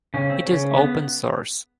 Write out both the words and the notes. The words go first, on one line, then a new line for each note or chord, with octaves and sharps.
It is open source.
C#3 C#4
C4
C#3 C#4
B3